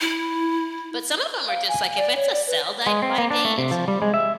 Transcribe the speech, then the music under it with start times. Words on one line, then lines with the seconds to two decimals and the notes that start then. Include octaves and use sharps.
But some of em are just, like if it's a sell dy by date,
0.01 E4
1.48 F5
1.69 G#5
1.97 D5
2.16 C#5
2.33 D5
2.47 B4
2.86 G#3
3.02 C4
3.18 A#3
3.31 D4
3.45 A3
3.58 C3
3.71 F3
3.88 G3
4.02 G#3
4.14 E5